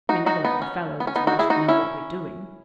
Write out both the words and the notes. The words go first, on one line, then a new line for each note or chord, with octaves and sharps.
We never let the fellow that's rushed know what we're doing.
D#4 F#4
D#4 F#4
B3 D#4
C#4
B3
C#4
B3 D#4
D#4 F#4
E4 G#4
D#4 F#4
C#4 E4